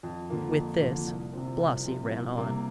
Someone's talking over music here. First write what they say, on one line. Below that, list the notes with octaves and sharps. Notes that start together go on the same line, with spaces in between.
With this Blasi ran on.
F2
D3 F3 A#3
F2
D3 F3 A#3
C2
C3 F3 C4
C2
C3 F3 C4
C2
C3 G3 A#3